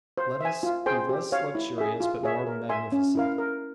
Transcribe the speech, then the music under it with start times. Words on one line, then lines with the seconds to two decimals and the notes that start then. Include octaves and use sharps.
Let us be less luxurious but more magnificent.
0.18 C5
0.41 E5 G#5
0.63 F4
0.86 G#4 C5 G5 C6
1.09 G4
1.32 C#5 F5
1.55 E4
1.78 G#4 E5
2.00 F4
2.23 G#4 C#5 E5
2.47 A#4
2.69 E5 G#5 C6
2.92 C#4
3.15 E4 A#4 F5
3.38 A#4